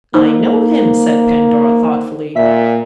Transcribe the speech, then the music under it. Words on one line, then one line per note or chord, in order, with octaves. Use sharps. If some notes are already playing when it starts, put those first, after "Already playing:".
"I know him," said Pandora, thoughtfully.
A#3 D#4 C5
A#2 E5 B6